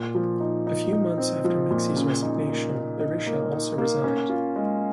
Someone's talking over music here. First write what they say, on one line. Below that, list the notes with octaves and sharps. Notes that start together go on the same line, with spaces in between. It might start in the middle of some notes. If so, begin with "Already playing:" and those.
A few months after Meksi's resignation, Berisha also resigned.
Already playing: A#2
F3
D#4
D#4
D#4
C4
F3
A#2
C#3
D#4
A#3
D#4
D#4
A#3
D#4
A#3
C#4
F4
G#3